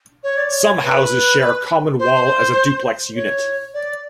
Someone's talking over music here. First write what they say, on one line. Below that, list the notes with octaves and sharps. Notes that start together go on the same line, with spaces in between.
Some houses share a common wall as a duplex unit.
C#5
D5
C#5
B4
C5
C#5
D5